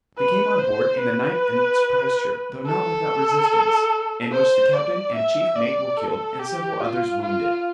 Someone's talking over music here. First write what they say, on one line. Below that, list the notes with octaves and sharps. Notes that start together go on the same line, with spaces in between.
They came on board in the night and surprised her, though not without resistance, in which the captain and chief mate were killed, and several others wounded.
B4
C5
B4
A4
C5
D5
E5
D5
A4
G4
F4
F4